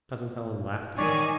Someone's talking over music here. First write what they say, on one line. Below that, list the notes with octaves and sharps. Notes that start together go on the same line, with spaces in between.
Cousin Helen laughed again.
D#3 C#5 D5 G#5